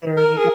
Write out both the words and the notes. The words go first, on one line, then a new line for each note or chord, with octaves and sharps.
There you go
A#4
G#4